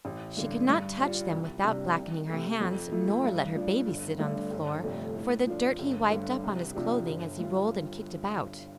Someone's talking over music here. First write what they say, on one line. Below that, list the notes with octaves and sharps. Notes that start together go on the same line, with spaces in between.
She could not touch them without blackening her hands, nor let her baby sit on the floor for the dirt he wiped up on his clothing as he rolled and kicked about.
A1
G2 D3
G2
G3 F4
C2
C3 G3 D4 G4
C2
C3 A3
F2
F3 A3
G2
F3 D4
G1
G2 D3 A3
G1
F2 C3 A3 D4
A2
F3 D4 F4
G1
G2 D3
C2
C3 F3 D4 G4
G1
G2 G3 F4